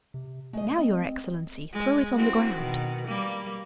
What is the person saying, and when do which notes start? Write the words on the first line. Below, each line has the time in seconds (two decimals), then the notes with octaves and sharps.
'Now, your excellency, throw it on the ground.'
0.14 C3
0.53 G#3 A3 D#5
0.79 C4
1.73 G#3
2.14 C4 E4 F#4
2.54 B2 D#3
3.07 G3 A#3